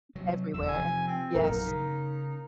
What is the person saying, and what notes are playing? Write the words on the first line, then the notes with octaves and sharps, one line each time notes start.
Everywhere. Yes.
C3 F#3
E1 E2 E6
C3 F3 G#5
C4
A#1 F#2 B2 D#4 A#4
C#3